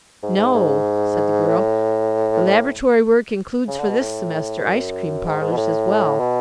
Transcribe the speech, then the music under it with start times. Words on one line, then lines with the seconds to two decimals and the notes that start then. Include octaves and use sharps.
"No," said the girl, "the laboratory work includes for this semester ice-cream parlours as well."
0.23 G#2
0.38 G#2
0.54 G#2
1.48 A2
3.68 C#3
3.79 D3
3.89 B2
4.00 A2
4.63 F#2
5.26 G#2
5.41 G#2
5.52 B2
5.57 A2
6.20 B2